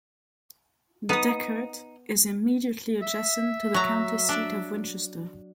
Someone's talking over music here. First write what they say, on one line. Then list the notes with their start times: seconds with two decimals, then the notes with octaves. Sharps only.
Decherd is immediately adjacent to the county seat of Winchester.
1.09 B3 D#4 B4 D#6
3.02 E5
3.74 F#3 A#5
4.29 D4